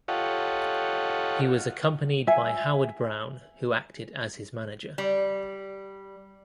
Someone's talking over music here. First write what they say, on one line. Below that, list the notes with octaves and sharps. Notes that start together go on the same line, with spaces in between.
He was accompanied by Howard Brown who acted as his manager.
F4 G4 A4 C#5 D#5 F#5
E5 G#5
G3